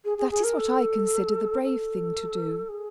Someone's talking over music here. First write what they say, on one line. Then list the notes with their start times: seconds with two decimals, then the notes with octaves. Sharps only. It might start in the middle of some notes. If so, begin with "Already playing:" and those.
That is what I consider the brave thing to do.
0.05 G#4
0.18 G#4
0.31 G#4
0.44 A#4
0.58 A4
1.62 A4
2.69 G#4